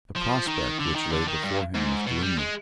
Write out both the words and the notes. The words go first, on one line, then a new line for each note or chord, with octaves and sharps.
The prospect which lay before him was gloomy.
F3
D#3
D3
D#3
D3
D#3
G2
G#2
B2
G3
G#3